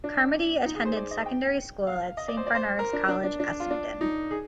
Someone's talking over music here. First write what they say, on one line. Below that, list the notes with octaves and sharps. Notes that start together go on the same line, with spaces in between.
Carmody attended secondary school at Saint Bernard's College Essendon.
D4
D#4
G#4
C5
D5
D#5
G5
F5
D#5
D5
C5
D5
C5
A#4
D4
D4
D4
D4
F4
D4
D#4
G#4